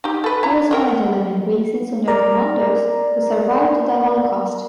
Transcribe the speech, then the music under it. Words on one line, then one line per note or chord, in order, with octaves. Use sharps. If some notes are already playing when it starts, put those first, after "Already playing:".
He was one of eleven Greeks in sonderkommandos who survived the holocaust.
D#4 G4
A4 B4
E4 A#5
C4 A#4 G5
F#5
A#4 D5 A#5